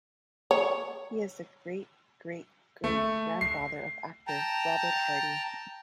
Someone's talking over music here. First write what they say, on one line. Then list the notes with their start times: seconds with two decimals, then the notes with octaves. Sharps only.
He is the great-great-great grandfather of actor Robert Hardy.
0.51 C#5
2.84 A3
3.41 C7
4.27 G5 A5 A#5